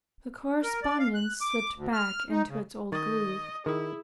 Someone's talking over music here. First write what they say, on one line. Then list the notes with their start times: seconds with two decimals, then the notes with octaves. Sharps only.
The correspondence slipped back into its old groove.
0.63 A#4
0.83 D5
0.99 F5
1.14 F#6
1.41 D6
1.75 D2
1.93 F6
2.30 D#4
2.49 C#3
2.92 D#3 D#5 C#6 G#6 A6
3.66 D#3 E4 G#4 D#6